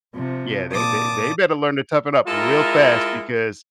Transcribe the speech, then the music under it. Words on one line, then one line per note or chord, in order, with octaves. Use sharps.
"Yeah, they they they better learn to toughen up real fast because,
C3 F3
A#2 A5 D6 D#6
G#3 E4 F4 A4 A#4